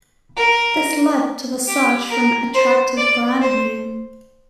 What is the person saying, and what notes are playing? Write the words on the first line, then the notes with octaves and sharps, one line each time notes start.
This led to the search for an attractive brand name.
A#4
G4
A#4
C5
D5
C5